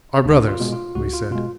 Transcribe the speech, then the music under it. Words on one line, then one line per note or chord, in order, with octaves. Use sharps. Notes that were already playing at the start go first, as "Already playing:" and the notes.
"Our brothers!" we said.
C#2 D4
F4
B2 G#3
F4
C#2 F#4
F4
B2 G#3 F4